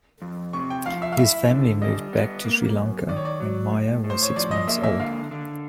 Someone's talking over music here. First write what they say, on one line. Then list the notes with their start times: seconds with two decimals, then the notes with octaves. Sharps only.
His family moved back to Sri Lanka when Maya was six months old.
0.22 F2
0.53 C3 C#6
0.70 G5
0.86 F3 F5
1.02 E5
1.12 F5
1.17 E4 E5
1.49 D3
1.82 G3 D#5
2.13 B3
2.45 A#3
2.77 F#2
3.09 D#3 D5
3.17 C#5
3.25 D5
3.40 F#3
3.72 A2
4.04 A2
4.10 C5
4.22 C#5
4.36 F3 D5
4.51 D#5
4.67 A#3 E5
4.83 E5
4.99 D3 F5
5.31 D3